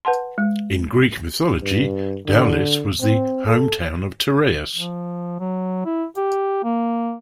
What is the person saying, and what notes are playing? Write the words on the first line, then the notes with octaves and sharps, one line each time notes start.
In Greek mythology, Daulis was the hometown of Tereus.
B4 F#5 A5 C6
G#3
G2
D3
C4
A4
F3
F#3
E4
G4
A#3